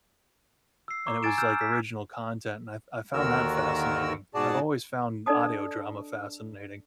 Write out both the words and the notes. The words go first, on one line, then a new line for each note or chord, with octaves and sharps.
and it was like original content, and I I found that fascinating, I've always found audio drama fascinating.
E6 C7
A#5 C#6 D6
G#5 A#5 G#6 A6 D7 E7
E6 F6 G6 E7
B6
D#2 D3 D#3 F#4 A#4 E6
G#2 B2 F#4 G#4 D5 A5
D4 A4 D5 D#5 A5 D#6